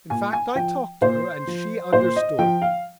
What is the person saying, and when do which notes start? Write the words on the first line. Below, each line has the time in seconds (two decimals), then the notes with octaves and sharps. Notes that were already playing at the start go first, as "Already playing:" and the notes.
In fact, I talked to her and she understood.
0.10 A#2 G#5
0.33 G#5
0.55 F3 G5
1.01 A#2 C5
1.47 F3
1.93 A#2 C5
2.16 D#5
2.39 F3 G5
2.62 F5